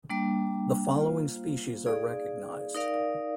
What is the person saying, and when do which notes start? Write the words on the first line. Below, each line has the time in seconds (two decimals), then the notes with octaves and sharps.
The following species are recognized.
0.10 G3 A#3 D4
0.98 A#3 F4 C5 F5
1.86 D#4 G#4 D5 F5
2.74 D#4 A#4 D5 F5